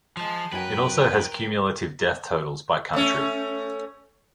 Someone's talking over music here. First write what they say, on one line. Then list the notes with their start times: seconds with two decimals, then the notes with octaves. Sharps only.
It also has cumulative death totals by country.
0.17 F3 G#3 A5
0.52 F#2 F#4 A#4 B4 G5 G#5
2.93 A3 C#4